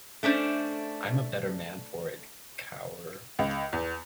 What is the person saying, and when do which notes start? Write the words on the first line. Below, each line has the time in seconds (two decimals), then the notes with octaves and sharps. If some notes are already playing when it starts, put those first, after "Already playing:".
I'm a better man for it, Kaur.
0.23 A3 C#4 D4 C5
3.39 C#2
3.73 E2